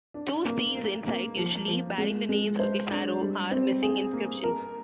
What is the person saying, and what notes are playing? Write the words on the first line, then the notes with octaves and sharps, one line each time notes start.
Two Steles inside, usually bearing the names of the pharaoh, are missing inscriptions.
D4
A#3
A#3
A#3
F3
F3
G#3
G#3
C5
D4
G3
C4
G#4
A#3
A#4